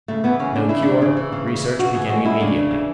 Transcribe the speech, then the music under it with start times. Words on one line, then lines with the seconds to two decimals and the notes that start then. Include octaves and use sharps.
No cure, research beginning immediately.
0.08 C#3 A3
0.24 E3 B3
0.39 C#3 C#4
0.55 G#3 D4
0.69 C#3 E4
0.82 E3 D4
1.02 C#3
1.17 E3
1.32 C#3
1.48 E3
1.64 E3
1.79 C#3 F#4
1.94 E3 G#4
2.09 G#3 F#4
2.25 G#3 E4
2.40 C#3 D4
2.56 C#3
2.71 E3